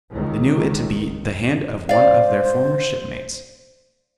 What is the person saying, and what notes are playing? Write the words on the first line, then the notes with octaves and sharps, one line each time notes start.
They knew it to be the hand of one of their former shipmates.
C#2 D#3
C5 D5 F5